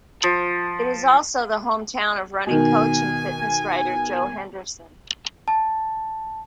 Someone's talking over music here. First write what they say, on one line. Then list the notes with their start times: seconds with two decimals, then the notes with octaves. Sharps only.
It is also the hometown of running coach and fitness writer Joe Henderson.
0.23 F3
2.47 B2 D#3 G#5
5.48 A5